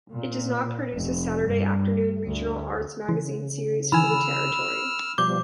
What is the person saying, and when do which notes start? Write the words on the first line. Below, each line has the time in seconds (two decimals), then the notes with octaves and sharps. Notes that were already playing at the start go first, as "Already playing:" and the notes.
It does not produce a Saturday afternoon regional arts magazine series for the territory.
0.13 A#2
0.92 F1
1.45 G2
2.24 D2
3.09 C#3 E3
3.92 D#3 E3 G#5 B5 E6 F6
5.18 B2 F3 G3 D6 G6